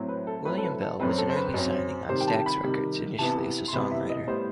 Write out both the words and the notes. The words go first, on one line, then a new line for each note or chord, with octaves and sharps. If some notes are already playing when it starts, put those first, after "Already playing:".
William Bell was an early signing on Stax Records initially as a songwriter.
Already playing: A2 F#3 C4
B4
A4
A2 F#3 C4 B4
A4
B4
A4
F#2 F#3 C4 B4
A4
C5
B4
F#2 F#3 C4
C3 D#3 G3 C5
G5
A5
B5
C3 D#3 G3
C3 E3 B3 A5
C6
C3 E3 B3 B5
E5
D#5
A2 G3 B3 C5